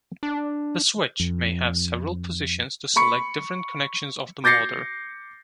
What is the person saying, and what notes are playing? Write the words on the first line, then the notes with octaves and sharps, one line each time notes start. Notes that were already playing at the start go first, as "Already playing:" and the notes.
The switch may have several positions to select different connections of the motor.
D4
F2
B5 C#6 C#7
D6 G6 A6 A#6 C7 C#7